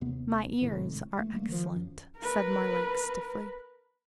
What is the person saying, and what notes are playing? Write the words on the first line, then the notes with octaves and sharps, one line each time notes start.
"My ears are excellent," said Marlanx stiffly.
D#2 C3 B3
G#1 A2 C3 D#3
C#2 A3
F#1 G3 A3 A#3
D#3 F3
F#2
A#4 B4